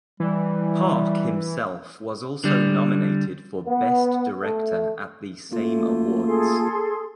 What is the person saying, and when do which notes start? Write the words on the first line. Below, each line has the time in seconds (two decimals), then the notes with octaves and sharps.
Park himself was also nominated for Best Director at the same awards.
0.20 E3 G3
2.44 D3 G3
3.67 B3
4.42 A3
5.52 F#2 A3 A#3 F4
6.25 G#4 A4 C6